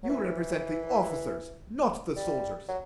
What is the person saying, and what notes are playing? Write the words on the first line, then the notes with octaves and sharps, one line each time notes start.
You represent the officers, not the soldiers!
F#3
E3
G3
F#3